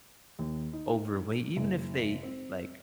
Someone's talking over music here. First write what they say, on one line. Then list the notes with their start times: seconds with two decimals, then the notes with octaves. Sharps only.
overweight even if they, like,
0.39 D#2
0.73 D#4
1.57 F#1
2.23 C4